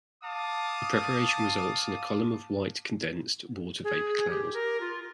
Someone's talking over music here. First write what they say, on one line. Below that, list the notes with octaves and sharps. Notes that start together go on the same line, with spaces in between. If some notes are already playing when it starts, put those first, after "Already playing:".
The preparation results in a column of white condensed water vapour cloud.
F5 A5 D6 D#6
G#4
G4
A#4
F4